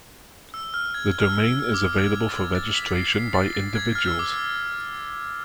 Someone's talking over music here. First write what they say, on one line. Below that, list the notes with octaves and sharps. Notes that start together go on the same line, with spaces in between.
The domain is available for registration by individuals.
E6
F6
G#6
F6
E6
E6
E6
D6
G#6
F6
A6
G#6
A6
B6
C7
C7
A6
A6
G#6
F6
E6
D6
E6